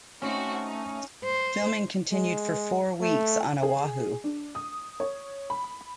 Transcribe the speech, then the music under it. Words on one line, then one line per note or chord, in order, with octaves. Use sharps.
Filming continued for four weeks on Oahu.
A3 C4 C#4 D#4 F#4
D#4
C5
G#3
A3
G#4
D4
D#6
C#5
B5